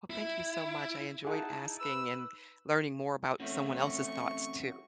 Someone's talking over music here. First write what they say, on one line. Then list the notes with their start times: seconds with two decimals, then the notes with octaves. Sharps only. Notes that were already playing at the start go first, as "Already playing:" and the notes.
Well, thank you so much. I enjoyed asking and learning more about someone else's thoughts too.
0.10 E4
1.25 D#4 E4 G#4 F#5 A5
1.80 B4 B5 E6
3.40 A3 C4 C#4 F#4
3.77 C#6